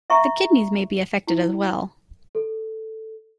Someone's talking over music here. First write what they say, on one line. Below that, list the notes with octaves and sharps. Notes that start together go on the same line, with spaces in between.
The kidneys may be affected as well.
E5 F5 A#5 C#6
E4
A4